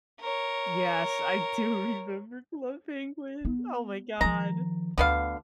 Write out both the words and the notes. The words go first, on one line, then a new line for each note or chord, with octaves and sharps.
Yes, I do remember Club Penguin, oh, my god.
A#4 C#5
B3
D#3 F3 A#5
D2 D3 B3 F5